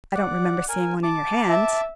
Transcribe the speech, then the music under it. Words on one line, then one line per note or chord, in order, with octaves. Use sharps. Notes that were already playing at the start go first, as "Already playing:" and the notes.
"I don't remember seeing one in your hand."
D5 F#5
A#4 G#5
A5 D6
E5